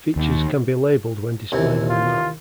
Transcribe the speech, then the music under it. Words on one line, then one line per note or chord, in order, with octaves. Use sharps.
Features can be labeled when displayed on a map.
D#2
D#2 C3 E3
F4